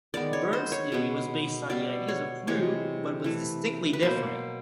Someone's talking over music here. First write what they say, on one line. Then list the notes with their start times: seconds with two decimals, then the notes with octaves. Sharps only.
Berne's theory was based on the ideas of Freud but was distinctly different.
0.14 D#3 G#3 B3 D5
0.33 C#5
0.53 C5
0.72 C#5
0.92 B2 G#3 B3
1.69 B2 G3 B3 D5
2.08 C#5
2.47 C3 E3 G#3 C#5
3.24 E3 A3
3.93 B4
4.03 B2 F#3 A#3 C5